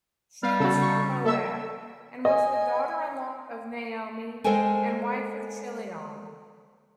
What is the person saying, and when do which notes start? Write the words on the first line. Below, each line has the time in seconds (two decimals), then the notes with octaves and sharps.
She was from Moab and was the daughter-in-law of Naomi and wife of Chilion.
0.43 G3 B3 F5
0.60 C#3 F#4 A4
0.82 C#6
1.25 A#3 A4 E5 E6
2.25 D#5 G#5
4.44 G#3 A4 A#4 C5 G5 G#5